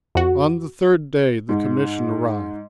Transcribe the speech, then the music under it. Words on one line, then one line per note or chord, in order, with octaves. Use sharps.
On the third day the commission arrived.
F2 F#4
G#2